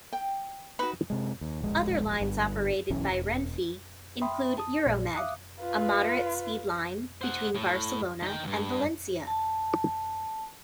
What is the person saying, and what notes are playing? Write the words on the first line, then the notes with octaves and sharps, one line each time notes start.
Other lines operated by Renfe include Euromed, a moderate-speed line between Barcelona and Valencia.
G5
D#4 F#4 B4
C3 G#3
D#2
D1 A#1 G#3
G1 G2
E1 B1 E3 C#4
E1
E5 G5 B5 C6 D#6
A5 D#6
A#1 A#2 D5
E5 F5 D6 D#6 F#6
F4 B4
C5 F#5
A2
D#4 G5
D2 G2
A5